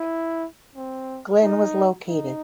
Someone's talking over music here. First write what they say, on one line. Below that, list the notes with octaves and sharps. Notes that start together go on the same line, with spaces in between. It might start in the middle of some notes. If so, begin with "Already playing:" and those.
Glynn was located.
Already playing: E4
C4
D#4
D#4